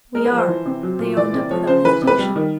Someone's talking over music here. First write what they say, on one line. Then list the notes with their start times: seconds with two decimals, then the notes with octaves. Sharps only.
"We are," they owned up without hesitation.
0.14 G#3 A#4
0.26 B4
0.32 F3
0.37 C5
0.48 E3
0.66 C3
0.83 F#3
0.99 A#2
1.17 E3 D5
1.33 C3
1.51 F3 C#5
1.67 C#3 C5
1.84 E3 B4
2.02 C3
2.07 B4
2.19 G3
2.36 D#3